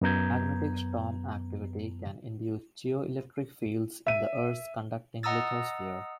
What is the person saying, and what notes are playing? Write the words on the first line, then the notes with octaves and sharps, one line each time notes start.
Magnetic storm activity can induce geoelectric fields in the Earth's conducting lithosphere.
F#2 B3 A#5 G6 G#6
E5 D#7
D#5 F#5 A#5 D#6 E6 A6